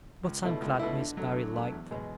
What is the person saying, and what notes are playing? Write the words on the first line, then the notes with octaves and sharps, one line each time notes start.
But I'm glad Miss Barry liked them.
C#2
B2 A3 E4
C#2
B2 A3 E4
D3
F#3 A3
D3
F#3 A3
E2
B2 G#3